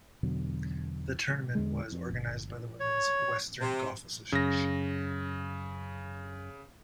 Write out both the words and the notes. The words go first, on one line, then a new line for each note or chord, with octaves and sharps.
The tournament was organized by the Women's Western Golf Association.
E2 B2 D3 F#3
E2 D3 G#3
F2
G1
C#5
C3
F#2 C#3 A#6